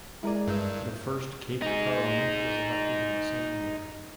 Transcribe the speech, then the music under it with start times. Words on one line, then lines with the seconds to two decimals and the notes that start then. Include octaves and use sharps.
The first Cape Parliament was elected in the same year.
0.23 G#3 E4 G#4 A#4 D5
0.48 G2 E6 G6
1.62 D#4 G#4